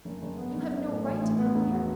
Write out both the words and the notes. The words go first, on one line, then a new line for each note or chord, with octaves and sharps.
You have no right to come here.
F#1
F#1
B3
F#1
C#4
A2
A1
A1
B3
E1
F#4